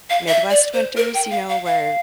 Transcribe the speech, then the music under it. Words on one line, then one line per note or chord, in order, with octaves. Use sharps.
Midwest winters, you know, where
F5
E5
D5
C5
A#4
G5
F5
F5
F5